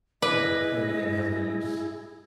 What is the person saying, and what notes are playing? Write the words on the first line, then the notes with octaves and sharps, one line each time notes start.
Yeah, everything has a use
E4 G#4 B4 D5 D#5